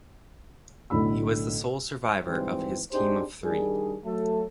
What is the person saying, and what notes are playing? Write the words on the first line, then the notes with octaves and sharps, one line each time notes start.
He was the sole survivor of his team of three.
B1 A2 D3 B5 E6
D2 G#2 D#3 E3 G3 C4
C4 D4 D#4 G4 G#4 C5
D#3 G3 D4 G#4
F#3 A3 A4